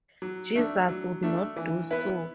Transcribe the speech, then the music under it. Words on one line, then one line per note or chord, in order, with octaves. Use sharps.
Jesus would not do so.
F#3
A3 D4
F#3
A3 D4
E3
B3 E4 B4